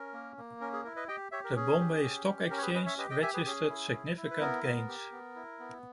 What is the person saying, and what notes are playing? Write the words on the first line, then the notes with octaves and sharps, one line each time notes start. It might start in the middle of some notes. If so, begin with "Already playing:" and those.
The Bombay Stock Exchange registered significant gains.
Already playing: C#4 A#4
A#3
A#3
C#4 A#4
G#4
E4 A#4
B4 D#5
G4 D#5 G5
G4 C#5 E5
A#4
C#4 G#4
G4
C#4
G4
C#4 A#4
C#5
G#4 B4
C#4 B4 D#5
C#5 E5
G4 B4 D#5
D#5 G5
G4 E5 G#5
G#4 B4
C#4 G#4
E4
E4
E4
B4
B3 A#4
B3
G4
B3
E4
B3